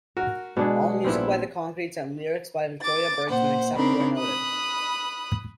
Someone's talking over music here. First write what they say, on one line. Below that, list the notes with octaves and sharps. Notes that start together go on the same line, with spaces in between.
All music by The Concretes and lyrics by Victoria Bergsman, except where noted.
F#4 A#4
B2 G#3 B3 D4 G#4
A#1 A#2 G3 B3 C4 E4
D6 A6
A#2 C5 F#5
C#3 C4 D4 D#4 A#4 B5
B5 D#6 F#6